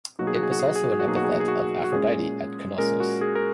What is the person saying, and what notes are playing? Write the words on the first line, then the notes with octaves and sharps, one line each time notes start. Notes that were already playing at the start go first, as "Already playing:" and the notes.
It was also an epithet of Aphrodite at Knossos.
B2 F#3 A#3 D#4 F#4
G#4
F#4
G#4
F#4
G#4
F#4
G#4
F#4
G#4
F#4
B2 F#3 A#3 D#4 G#4
F#4
G#4
F#4
G#4
F#4
F#4
A#2 G#3 C#4 G#4
A#2 G#3 C#4 A#4
F#4
G#4
A#4